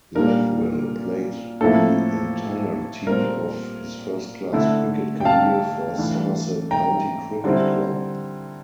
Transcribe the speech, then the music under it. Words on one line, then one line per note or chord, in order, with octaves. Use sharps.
Lathwell played the entirety of his first-class cricket career for Somerset County Cricket Club.
A#2 G3 A#3 D4 A#4
A2 F3 A#3 E4 A4
A#2 G3 C4 A#4
D3 A3 E4
G5
F5 A5
E3 A3 D4
G5 A#5
D3 G3 C4 E4